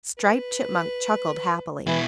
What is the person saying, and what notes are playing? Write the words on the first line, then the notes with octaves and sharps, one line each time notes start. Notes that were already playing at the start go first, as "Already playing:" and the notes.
Striped Chipmunk chuckled happily.
B4
B2 E3 E4